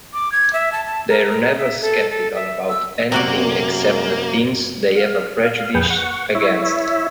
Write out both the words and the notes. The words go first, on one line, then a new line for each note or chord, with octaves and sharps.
They're never skeptical about anything except the things they have a prejudice against.
D6
G#6
E5
A5
A5
A#4
A#4
E5
A4
A4
E5
E6
F#2 C3 A#3 F#4 D5
F5
F5
F2 G#4 B4 G5
F#5 C#6
E4 C#5 E5